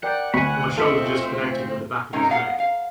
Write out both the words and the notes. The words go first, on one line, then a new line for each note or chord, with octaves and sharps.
My shoulder just connected with the back of his neck.
A#4 D5 F#5 G5
D2 G#5 B5 C#6
C4 F4 A4 D#5 E5 C#6
C3 G#3 C#4 D#4 F#4 A#4
B3 F5 F#5
F5